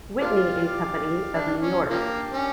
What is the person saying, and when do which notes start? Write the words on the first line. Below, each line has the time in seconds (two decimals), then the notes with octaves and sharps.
Whitney and Company of New York.
0.20 A#3 D4 F4 G4 D5 F5
1.34 D4
1.61 C#4
1.90 C#3 F3 A#3 D4 G4 D5 G5
2.33 C#4